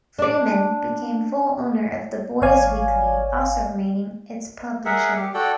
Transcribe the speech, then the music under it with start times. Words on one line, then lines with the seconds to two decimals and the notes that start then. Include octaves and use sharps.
Freeman became full owner of the "Boise Weekly", also remaining its publisher.
0.19 D4 D5
2.42 G#1 C#5 D5 F5 G#5
4.85 G#4 A#4 E5 F#5
5.17 G4
5.34 F#4 A4 D5 G5